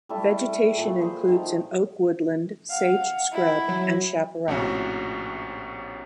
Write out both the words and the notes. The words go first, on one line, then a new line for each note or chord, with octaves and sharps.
Vegetation includes an Oak woodland, sage scrub and chaparral.
G3 A3 E4 A5
A4
A#2 A3
G#4 C5
D#3 F3
F5 F#5
E4
F#3
A#1 A2 C3 C#4 F#4 E5